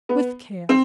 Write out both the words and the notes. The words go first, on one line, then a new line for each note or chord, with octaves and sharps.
With care!
B3
C4